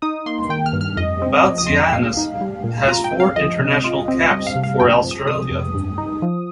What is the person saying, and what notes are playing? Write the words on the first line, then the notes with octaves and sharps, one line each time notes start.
Boutsianis has four international caps for Australia.
D#4 D#6
A#3 C6
D#3 G5
F6
G2
F6
F2 D#5
C4
F3
D#6
F2 C6
A#5
G5
A#2 F5
D#4
G3
A#2
F4 A#5
G5
C4
F5
F3 D#5
C3
F4
C4
G3 D#5
F5
C3
F5
F2 G5
F3
D#6
C3 D#6
F2
G2
D#4
F3